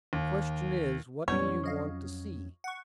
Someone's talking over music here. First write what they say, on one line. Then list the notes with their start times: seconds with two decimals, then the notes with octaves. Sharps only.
"The question is, what do you want to see?"
0.13 D#2
1.28 F2 A#2 F#3 G3 B3 C#4 C#5
1.64 F3 D#5 F5
2.64 F#5 C#6